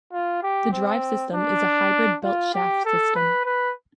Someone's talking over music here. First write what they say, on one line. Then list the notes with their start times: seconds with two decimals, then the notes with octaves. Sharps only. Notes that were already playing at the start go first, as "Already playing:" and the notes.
The drive system is a hybrid belt-shaft system.
0.13 F4
0.43 G4
0.73 C4
1.34 D4
2.24 F4
2.54 G4
2.85 A4
3.16 B4
3.45 B4